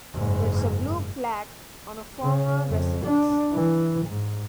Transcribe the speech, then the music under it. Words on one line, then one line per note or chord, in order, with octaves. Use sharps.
There is a blue plaque on a former residence.
F#1 G#2
C#3
F2
D4
E3
G#2